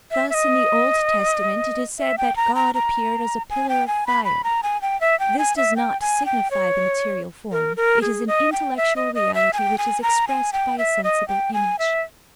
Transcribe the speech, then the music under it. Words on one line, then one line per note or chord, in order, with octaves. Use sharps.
Thus in the Old Testament it is said that God appeared as a pillar of fire: this does not signify the material form; it is an intellectual reality which is expressed by a sensible image.
E5
E5
D#5
E5
G5
A#5
A#5
A#5
G#5
G5
G#5
B5
B5
A#5
G#5
G5
E5
G5
G#5
E5
G5
G#5
G5
C#5
A#4
A#4
G#4
D#5
G5
E5
D#5
D#5
E5
G#5
G5
G#5
A#5
G#5
G5
E5
D#5
G5
G#5
E5